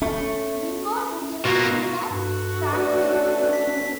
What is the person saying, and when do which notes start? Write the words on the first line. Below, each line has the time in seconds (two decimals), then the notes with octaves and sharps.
Bingo did a similar stunt in this movie.
0.02 A3 C#4
1.45 B2 A#3 F4 F#4
2.10 G2 F#4 A4
2.73 A3 C#4 D4 B4
3.53 B6